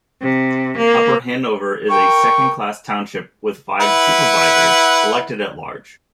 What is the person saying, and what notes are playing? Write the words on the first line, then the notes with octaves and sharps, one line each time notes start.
Upper Hanover is a second-class township with five supervisors elected at-large.
C3
A#3
A#4 G5 C#6
E4 B4 F#5